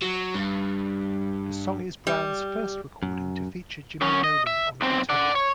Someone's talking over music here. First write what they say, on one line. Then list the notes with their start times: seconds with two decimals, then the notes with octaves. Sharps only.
The song is Brown's first recording to feature Jimmy Nolen on guitar.
0.02 F#3
0.34 G2
2.07 G3
3.03 F#2
4.01 F#2 C#4
4.24 D#5
4.47 E5
4.81 B1 C4
5.10 D5 F#5
5.35 C#5